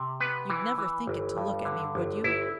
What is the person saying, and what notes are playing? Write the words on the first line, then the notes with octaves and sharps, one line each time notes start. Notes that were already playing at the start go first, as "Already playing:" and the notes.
You'd never think it to look at me, would you?
Already playing: C3
B3 B4
E3
E3
G1
G2
D3
G1
G1 E4